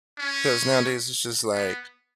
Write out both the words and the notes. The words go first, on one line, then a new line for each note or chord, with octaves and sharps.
‘cause nowadays, it's just like,
C#4
B3